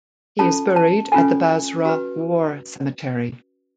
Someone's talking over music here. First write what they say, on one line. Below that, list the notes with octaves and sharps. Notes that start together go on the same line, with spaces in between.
He is buried at the Basra War Cemetery.
C#4 F4 A4 A5
A5
C#4 F4 A4 G#5
F#4 B4